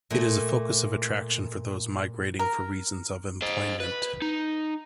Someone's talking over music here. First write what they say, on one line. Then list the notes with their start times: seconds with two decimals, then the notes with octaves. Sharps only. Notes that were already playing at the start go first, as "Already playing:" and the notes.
It is a focus of attraction for those migrating for reasons of employment.
0.10 A#2 A3
2.39 A#4
3.42 C5 D#5
3.80 B4
4.22 D#4